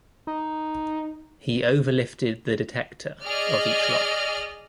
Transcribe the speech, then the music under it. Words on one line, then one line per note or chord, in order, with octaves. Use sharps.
He overlifted the detector of each lock.
D#4
G#4 D5 D#5 F6